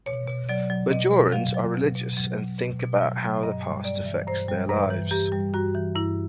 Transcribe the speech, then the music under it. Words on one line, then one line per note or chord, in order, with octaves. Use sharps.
Bajorans are religious and think about how the past affects their lives.
B2 C#5
B2
F#3 D5
F#3
B2 D#5
B2
F#3 F5
F#3
B2
B2
F#3
F#3
B2
B2
F#3
F#3
G2 D#5
G3
G2 D5
E3
G2 C5
G3
G2 B4
E3
G2 G4
G3
G2 F#4
E3
G2 E4